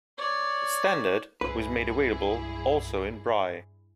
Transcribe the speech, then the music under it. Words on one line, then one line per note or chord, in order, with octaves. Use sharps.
The standard was made available also in Braille.
C#5 D5
C2 G2 E4 G#4 B4